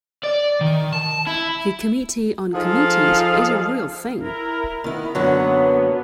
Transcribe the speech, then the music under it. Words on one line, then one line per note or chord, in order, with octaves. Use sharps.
The Committee on Committees is a real thing.
D5
D#3
A5
E4
F3 D#4 G#4 A4 F5
E4 A#4
D#3 B3 E4
F#2 D3 F#3 A#3 B3